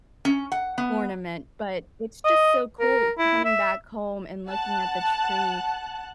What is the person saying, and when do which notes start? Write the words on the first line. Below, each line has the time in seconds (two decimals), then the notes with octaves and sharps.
ornament. But it's just so cool coming back home and looking at the tree,
0.25 C#4
0.52 F#5
0.78 B3
2.25 D#5
2.80 A#4
3.18 E4
3.45 E5
4.48 F#5 A5 F#6